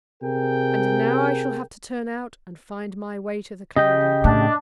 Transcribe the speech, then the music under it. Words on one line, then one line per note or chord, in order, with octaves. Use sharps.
And now I shall have to turn out and find my way to the Clarendon.'
C3 G#4 A#4 G5
C#3 G4 D#5 G5
A2 D4